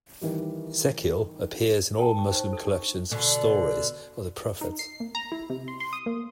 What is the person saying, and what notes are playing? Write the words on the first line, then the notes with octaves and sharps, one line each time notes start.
Ezekiel appears in all Muslim collections of "Stories of the Prophets".
D#3 E3 G3
A4 G5 A5 B5
C#6
D#4 C5
A4
D4 C#6
B2 D3
D#4
C7
A#3
A#5
E4
C3
C6
C6
D#6
A#3